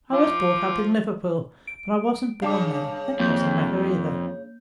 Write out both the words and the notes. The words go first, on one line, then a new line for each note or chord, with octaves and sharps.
I was brought up in Liverpool, but I wasn't born there; that doesn't matter either.
F3 D6
D7
G2 C#3 F5 A5 D6
F2 A#3 G6